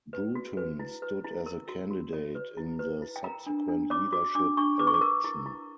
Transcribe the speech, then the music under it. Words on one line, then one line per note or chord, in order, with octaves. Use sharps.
Bruton stood as a candidate in the subsequent leadership election.
B4
F#4
B4
E4
B4
E4
A#4
F#4
F#4
C#5
B4
E4
B4
E4
G5
A#4 A#5
D4
D4
C#5 D6
F#4 D6
D4 D6
D4 C#6
B4 D6
C#6
D6
A#4 E6
E4
E4